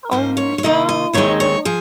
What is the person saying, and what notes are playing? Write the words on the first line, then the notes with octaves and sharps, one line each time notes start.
Oh, no.
G#2 F3 A#3 C5
C#5
C#5
C3 D#3 A#3 D#5
D#5
D#2 D#3 G#3 C4 C#5
C#5
F3 G#4